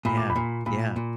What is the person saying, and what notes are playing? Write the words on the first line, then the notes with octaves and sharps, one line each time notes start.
Yeah, yeah.
A#2 B5
D6
B5
A#2
A#2 B5
A#2